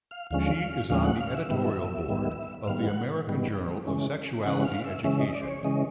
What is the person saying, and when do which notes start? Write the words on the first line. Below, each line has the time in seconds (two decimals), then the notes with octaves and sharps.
She is on the editorial board of the "American Journal of Sexuality Education".
0.11 F5
0.30 D#2 D3 F3 G#3 C#4 F5
0.90 D#2 D3 F3 G#3 C#4 F5
1.04 F#5
1.20 F5
1.35 E5
1.49 G#2 D#3 G3 B3
2.09 G#2 D#3 G3 B3
2.64 E5
2.67 G#2 D#3 G3 B3 F5
2.87 F#5
3.27 G#2 D#3 G3 B3
3.86 C#3 E3 G#3 C#4
4.45 C#3 E3 G#3 C#4 F#5
4.65 F5
4.84 E5
5.04 C#3 E3 G#3 C#4 E5
5.20 D#5
5.35 D5
5.42 C5
5.48 C#5
5.63 C#3 E3 G#3 C#4 D#5